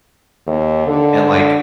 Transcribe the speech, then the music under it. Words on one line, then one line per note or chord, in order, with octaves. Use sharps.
and, like,
D#2
D3